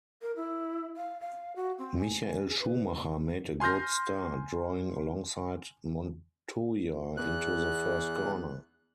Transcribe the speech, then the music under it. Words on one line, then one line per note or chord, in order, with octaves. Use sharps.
Michael Schumacher made a good start, drawing alongside Montoya into the first corner.
A#4
E4
F5
F5
F#4
C4
G#5
G#4
B4
G#5 C6 F6 G6 A#6
E2 F#6